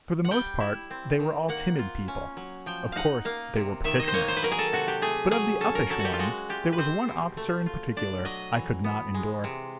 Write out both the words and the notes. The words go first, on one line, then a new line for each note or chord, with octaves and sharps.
For the most part they were all timid people--of course, they were petitioners. But of the uppish ones there was one officer in particular I could not endure.
F#5
G3 G5
E4
C4
D#3
A#3 F#5
F4
C#4
F#3
F3 G5
D#4 F5 F#5
A#3 F5
C3
D#3 E5
D#5
C5
A#3 C#5
C5
B4
F#3 A#4
G#4
A4
C3 F#4
G4
A3 G#4
F#3 G#4
C#4 A4
A#4
F#3 A4
F#4
G4
F4
G#3 F#4
F4 G4
B4
C4 C5
B2
A3
F4
D4 D5
F#3 D#5
E3
B3
G#3
C3